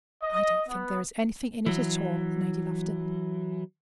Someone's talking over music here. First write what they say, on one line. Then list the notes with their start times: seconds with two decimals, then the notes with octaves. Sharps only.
"I don't think there is anything in it at all, Lady Lufton."
0.23 D#5
0.68 B3
1.66 E3 F#3